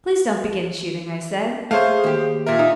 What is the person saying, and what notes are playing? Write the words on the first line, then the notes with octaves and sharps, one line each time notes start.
'Please don't begin shooting,' I said.
A3 G#4 C5 C#5 F5
D#2 G4
A#2 A#4 E5
D#4